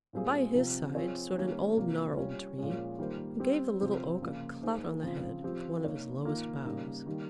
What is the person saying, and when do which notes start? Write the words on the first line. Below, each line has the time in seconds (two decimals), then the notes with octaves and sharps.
But by his side stood an old gnarled Tree, who gave the Little Oak a clout on the head with one of his lowest boughs.
0.13 A#2 G3 C4 F4 G#4
0.55 C3 F3 C4 F4
0.94 F3 C4 F4 G#4 C#5
1.35 D#3 G3 A#3 C#4
1.77 C3 F3 A#3
2.16 G3 C#4 F4
2.58 A#2 F3 G#3 C#4
2.99 D#3 G3 A#3 F4 C5
3.39 G3 C4 G4
3.80 C3 F3 C4
4.21 C#3 F3 A#3 F4
4.62 A#3 D#4 G#4 C5
5.03 C#3 F3 C4
5.43 F3 C4 G4
5.84 A#3 D#4 A#4 C#5
6.25 D#3 A#3 F4
6.65 C#3 G3 A#3 D#4
7.06 D#3 G3 A#3